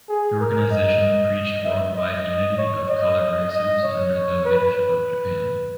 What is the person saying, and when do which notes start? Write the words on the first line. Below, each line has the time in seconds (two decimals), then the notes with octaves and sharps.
The organization preached worldwide unity of colored races under the leadership of Japan.
0.09 G#4
0.40 A#4
0.71 D#5
1.65 E5
1.96 D#5
2.58 C#5
2.89 D#5
3.51 D#5
3.83 C#5
4.45 B4
4.76 B4